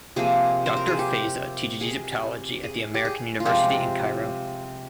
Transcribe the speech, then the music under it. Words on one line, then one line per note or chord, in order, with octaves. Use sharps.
Doctor Fayza teaches Egyptology at the American University in Cairo.
C3 F3 A#3 G#4
C5
A#4
G#4
G4
G#4
G#4
G4
G#4
F4
C3 F3 G#3 G4